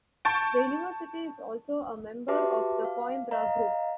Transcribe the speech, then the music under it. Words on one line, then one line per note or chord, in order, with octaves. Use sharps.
The university is also a member of the Coimbra Group.
A5 C#6 G6 A6 D7
F#4 G4 B4 E5 A5 D6
F5
D#5 F5 A#5